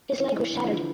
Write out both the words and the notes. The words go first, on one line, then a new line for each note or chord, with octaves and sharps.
His leg was shattered.
E3
E3
D3
F3
E3